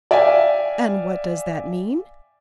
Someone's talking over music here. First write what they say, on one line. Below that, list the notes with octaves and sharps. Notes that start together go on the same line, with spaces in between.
And what does that mean?
D5 E5 F5 G5 G#5